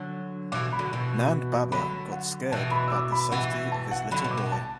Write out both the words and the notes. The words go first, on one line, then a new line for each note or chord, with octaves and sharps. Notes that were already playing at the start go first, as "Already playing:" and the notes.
Nand baba got scared about the safety of his little boy.
Already playing: D3 F#3
B2 E3 D6
B5
D3 F#3
B2 E3
D3 F#3 B5
F#5
B2 E3 A5
B5
E6
D6
B5
B2 E3 F#5
A5
F#5
D3 F#3 B5
B2 E3
D6
B2
A5